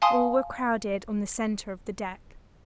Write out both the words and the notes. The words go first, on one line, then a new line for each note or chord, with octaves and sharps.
All were crowded on the centre of the deck.
F5 G#5 A5 C6 D#6